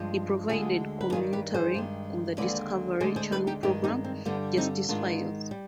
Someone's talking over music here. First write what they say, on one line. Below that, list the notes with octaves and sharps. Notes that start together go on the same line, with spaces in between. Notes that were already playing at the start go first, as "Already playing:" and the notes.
He provided commentary on the Discovery Channel program "Justice Files".
Already playing: G2 F3 G#3
D2 D3 G#3 F4 G#4
B4
G2 D#3 G3 F4 G#4
G4 B4
G#4 C5
G2 D#3 G#3
D#2 D3 F3 G#3 B4 D5
D2 D3 G#3 G#4 C5
G#4 C5
G4 B4
D#4 G4
G2 D#3 G#3 D#4 G4
C4 D#4
C4
G2 D3 G3 B3 D4
C4 D#4
G#2 D#3 G#3 D4 F4
G3